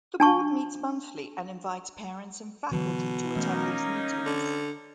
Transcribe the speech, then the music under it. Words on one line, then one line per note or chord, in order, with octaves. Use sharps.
The Board meets monthly and invites parents and faculty to attend these meetings.
D4 A5 C#6
B2 D3 E3 F#3
E3 A3 A#3 C#4 D#4
D3